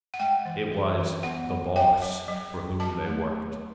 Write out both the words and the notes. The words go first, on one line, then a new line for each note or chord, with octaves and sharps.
It was "the Boss" for whom they worked.
F#5
G#3 G5
E3
E3
E3
B3 F#5
F#3
F#3 G5
F#3
F#3
C#4
F#3 A5
A3